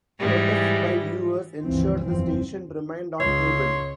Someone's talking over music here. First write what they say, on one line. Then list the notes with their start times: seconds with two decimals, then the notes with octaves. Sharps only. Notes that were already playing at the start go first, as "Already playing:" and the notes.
Protests by viewers ensured the station remained on cable.
0.19 G#2 E3 G3
1.63 C#2 G2 E3 F3 C4
2.08 F#1 E2 G2 E3 F3 C4
3.20 C#2 C#5 C6